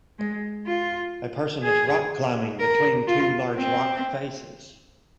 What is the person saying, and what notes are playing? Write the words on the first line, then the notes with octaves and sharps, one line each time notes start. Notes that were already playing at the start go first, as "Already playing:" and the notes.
A person is rock climbing between two large rock faces.
G#3
F4
G#4
A#4
F4
C4